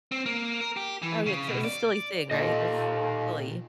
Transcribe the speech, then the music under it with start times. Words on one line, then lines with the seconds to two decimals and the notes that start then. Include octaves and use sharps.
Oh, yeah, 'cause it was a silly thing, right? That's silly,
0.12 C4
0.26 A#3
0.61 A#4
0.77 G4
1.02 E3
1.26 C#3
1.48 B2
1.64 D5
2.31 D#2 A#2 F4 A4 D#5